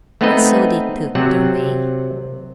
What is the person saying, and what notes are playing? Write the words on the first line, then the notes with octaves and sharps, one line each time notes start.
And so they took their way.
A3 B3 C4 D#4 B4 D#5
C3 F#3 C4 F#5